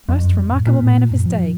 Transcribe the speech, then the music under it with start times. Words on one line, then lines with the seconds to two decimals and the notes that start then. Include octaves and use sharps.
Most remarkable man of his day.
0.09 F2
0.23 F#2
0.37 F2
0.52 A2
0.67 A#2
0.82 A2
0.96 A#2
1.11 F#2
1.26 F3